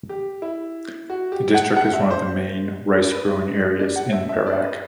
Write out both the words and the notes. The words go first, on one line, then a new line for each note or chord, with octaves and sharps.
The district is one of the main rice-growing areas in Perak.
G4
E4
F#4
G4
F#5
F#5
E5
C5
B4
D5
F#5
E5
E5
D5
B4